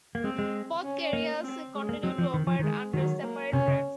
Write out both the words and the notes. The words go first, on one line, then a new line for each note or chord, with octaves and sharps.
Both carriers continue to operate under separate brands.
A#3
G#3 C4
G#3
C#4
A#3
C4
G#3
A#3
F#3 C4
F3
D#3
F3
D#3 G#3
D#3 F#3
A#3
C3 C#4
C#3